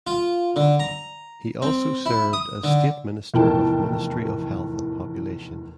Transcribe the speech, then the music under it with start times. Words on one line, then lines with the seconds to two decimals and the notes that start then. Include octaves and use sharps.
He also served as State Minister of Ministry of Health and Population.
0.07 F4
0.56 D3
0.80 A#5
1.62 C4
2.06 E4
2.33 D#6
2.64 D3
3.34 F1 E2 A2 A#4 G5 A5